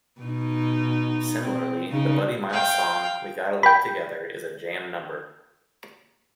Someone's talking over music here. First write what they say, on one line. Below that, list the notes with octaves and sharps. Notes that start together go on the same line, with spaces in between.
Similarly, the Buddy Miles song "We Gotta Live Together" is a jam number.
B2 D#4
C4
C#3 D#4
F5 G5
G5 B5